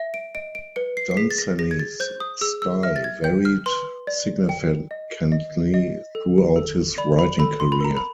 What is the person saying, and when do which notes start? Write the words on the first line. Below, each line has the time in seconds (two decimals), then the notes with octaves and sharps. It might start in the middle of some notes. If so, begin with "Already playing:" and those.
Dunsany's style varied significantly throughout his writing career.
Already playing: E5
0.14 D7
0.35 D#5 D7
0.55 D7
0.76 B4 C#7
0.97 C7
1.11 C7
1.17 G#4 B6
1.31 A6
1.38 A#6
1.59 G#4 A#6
1.71 G#6
1.79 A6
2.00 C5 G6
2.20 D#6
2.41 G#4 E6
2.62 E6
2.83 E5 F6
2.96 A6
3.04 G#6
3.24 G5 G6
3.45 F6
3.66 B4 C6
4.07 D5
4.49 G5
4.91 D#5
5.32 D#5
5.74 D#5
6.15 A4
6.56 A4
6.98 D5 B5
7.19 B5
7.39 A4 B5
7.60 C6
7.72 B5
7.81 A#4 A#5
7.97 B5